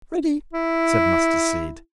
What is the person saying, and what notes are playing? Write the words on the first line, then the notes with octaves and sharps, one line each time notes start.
"Ready," said Mustardseed.
E4